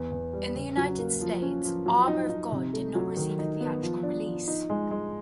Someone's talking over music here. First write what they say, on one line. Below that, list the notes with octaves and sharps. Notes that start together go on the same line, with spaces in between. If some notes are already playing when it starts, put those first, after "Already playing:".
In the United States, "Armour of God" did not receive a theatrical release.
Already playing: E2
E2
G3
C#3
F#3
A#3
F3
C#4
F3
F#3
D#4
D#4
C3
A3
F#3
D#3
D#4
B3
F3
D4
F3
D#4
G#3
G#3